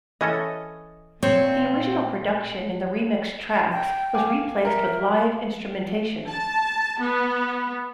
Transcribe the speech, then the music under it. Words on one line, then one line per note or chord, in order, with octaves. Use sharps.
The original production in the remixed tracks was replaced with live instrumentation.
E3 C#4 A4 D#5
A#2 C4 C5 C#5
G5
F5 G#5 D6
A#4 E5
A5
B3